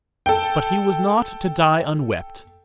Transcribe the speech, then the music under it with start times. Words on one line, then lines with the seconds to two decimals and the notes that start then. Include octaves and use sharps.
But he was not to die unwept.
0.26 A4 G5